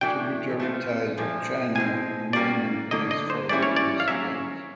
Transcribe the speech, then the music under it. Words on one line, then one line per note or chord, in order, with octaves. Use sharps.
Tributary ties with China remained in place following this event.
A2 E3 A3 D4 F#4 G5
A3 C4 F4
A#2 F3 A3
B2 G#3 C4 G#5
G3 A#3 C#4 F#4 D5
D3 F#3 A#3 D#5
D#5
C5
E3 G3 A#3 C#4 E4 D5
C#5
D5
F5
F#3 A#3 C#4 E5